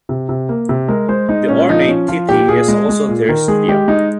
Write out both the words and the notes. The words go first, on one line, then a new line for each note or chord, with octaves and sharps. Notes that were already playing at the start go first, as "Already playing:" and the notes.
The ornate titi is also terrestrial.
C3
C3
A#3
C3
G#3 A#4
G#3 C5
G#3 D#4
A#2 C#4
F3 D#4
F3 C#4
F3 F4
A#2 G4
A#2 G#4
G#3
G#3
A#2
D#3 A#4
G#3 G#4
G#3 G4
G#3 D#4